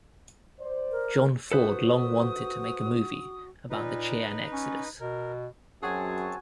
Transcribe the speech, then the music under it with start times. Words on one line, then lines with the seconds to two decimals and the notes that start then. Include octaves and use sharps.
John Ford long wanted to make a movie about the Cheyenne exodus.
0.60 C5 D5
0.91 A#4
1.52 F#4 A4 B4 C5 D#6
3.70 A#2 D#4 B4
4.52 C#4
5.00 B2 A#4
5.83 F#2 C4 F#4 G#4 C#5 G#5 A5